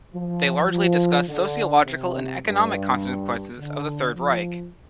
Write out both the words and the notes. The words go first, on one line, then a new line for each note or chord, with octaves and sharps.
They largely discussed sociological and economic consequences of the Third Reich.
F3
F3
D3
C3
G2
D3
F3